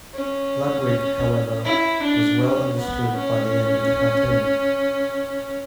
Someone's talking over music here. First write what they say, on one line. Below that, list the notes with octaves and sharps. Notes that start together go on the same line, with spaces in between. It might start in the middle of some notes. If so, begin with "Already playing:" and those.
Ludwig however was well understood by the end of the cartoon.
C#4
E4
D4
C#4
B3
C#4